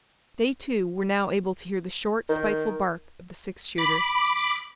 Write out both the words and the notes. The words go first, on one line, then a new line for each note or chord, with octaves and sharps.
They, too, were now able to hear the short, spiteful bark of the six-shooters.
D#3
B5 D6